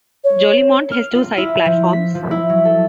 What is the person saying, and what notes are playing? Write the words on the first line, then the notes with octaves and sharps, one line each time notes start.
Jolimont has two side platforms.
C#5
F6
F4
E4
F3
B6
F3
E4
F#3
A4